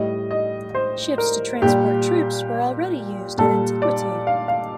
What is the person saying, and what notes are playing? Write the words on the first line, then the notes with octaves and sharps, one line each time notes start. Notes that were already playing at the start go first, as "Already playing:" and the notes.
Ships to transport troops were already used in Antiquity.
Already playing: A2 G3 D#5
D#5
C5
A#4
A#2 G3 G4
A#2 G3 A4
D5
F5
F5